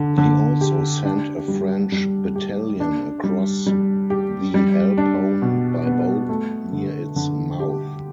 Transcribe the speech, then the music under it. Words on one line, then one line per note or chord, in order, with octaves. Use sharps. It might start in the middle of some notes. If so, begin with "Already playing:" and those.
He also sent a French battalion across the Alpone by boat near its mouth.
Already playing: D3
D3
G4
D4
G3
G3
G4
D4
G3
G3
G4
G3
D4
B2
B3
A3
D3
D3
G4